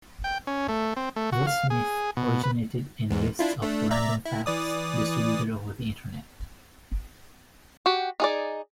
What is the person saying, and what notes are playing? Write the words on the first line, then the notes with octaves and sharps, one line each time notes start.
This myth originated in lists of "Random Facts" distributed over the Internet.
G5
C#4
A3
C4
A3
F#4
F5
G#4
B2
B4
E2 G#2
D4 E4 F4
A3 D4
D5 E5 A#5
E4
E3 D5 D#6
F#4 G4
D#4 G#4 D5